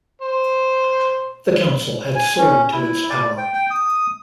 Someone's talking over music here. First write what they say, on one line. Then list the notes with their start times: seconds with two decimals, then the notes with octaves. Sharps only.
The Council had soared to its power.
0.21 C5
2.15 G#5
2.38 C#4
2.72 E4
3.09 D5
3.38 G5
3.54 G5
3.70 D#6